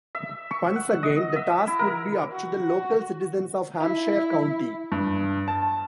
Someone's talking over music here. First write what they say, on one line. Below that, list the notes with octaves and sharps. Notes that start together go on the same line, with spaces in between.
Once again, the task would be up to the local citizens of Hampshire County.
E5
C#6
F#5
D#5
E5
E4
A#4
F#4
E4
G2
A5